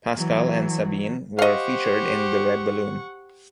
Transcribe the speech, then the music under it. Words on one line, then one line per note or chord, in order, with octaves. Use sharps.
Pascal and Sabine were featured in "The Red Balloon".
E3 F#3
G4 C5 D#5 F5 F#5 C#6